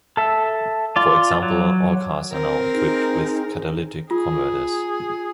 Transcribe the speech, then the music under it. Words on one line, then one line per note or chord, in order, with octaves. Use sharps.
For example all cars are now equipped with catalytic converters.
A4 E5
F4 D5
F#3
C4 A#4
D#4 G#4
F4 G#4